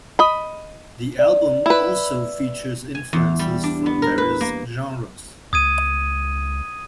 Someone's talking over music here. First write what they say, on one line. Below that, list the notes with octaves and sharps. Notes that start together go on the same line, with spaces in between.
The album also features influences from various genres.
D#5 B5
D5
E4 B4
G#5
E2
G3
D4
B3
A#4
B4
A#3
C#2 D#6 G#6 D#7